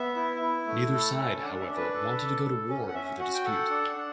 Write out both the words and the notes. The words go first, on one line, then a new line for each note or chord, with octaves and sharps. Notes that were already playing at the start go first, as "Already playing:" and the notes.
Neither side, however, wanted to go to war over the dispute.
Already playing: B3 E5
E4
E4
A3
A4
C#4
D4 F#5
E5
D4
B4
A4
A4
A4
C#4
F#5
C#4 E5
F#4 F#5
G5
A4 F#5
D4
D4